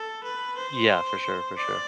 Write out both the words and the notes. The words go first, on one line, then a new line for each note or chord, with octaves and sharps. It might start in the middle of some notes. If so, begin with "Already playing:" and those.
Yeah, for sure, for sure.
Already playing: A4
B4
C5
D5